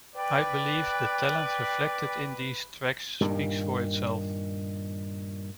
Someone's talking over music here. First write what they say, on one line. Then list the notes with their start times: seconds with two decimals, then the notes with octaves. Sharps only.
I believe the talent reflected in these tracks speaks for itself.
0.16 B4 D5 G5
3.21 G2 A#2 D#3